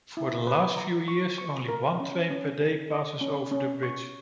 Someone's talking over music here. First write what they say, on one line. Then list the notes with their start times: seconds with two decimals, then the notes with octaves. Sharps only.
For the last few years only one train per day passed over the bridge.
0.17 E4
0.47 B4
0.77 A#5
1.08 C#6
1.38 C#6
1.68 A#4
2.00 C#4
2.30 C#4
2.60 G#4
2.91 D#5
3.21 C#4
3.51 C#4
3.83 C#6